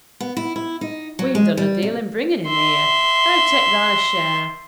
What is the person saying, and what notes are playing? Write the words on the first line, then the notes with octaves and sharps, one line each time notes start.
'We'n done a deal in bringing him here--thou take thy share.'
B3
E4
E4
D#4
F#3
G#3
G3
C3
E5 C6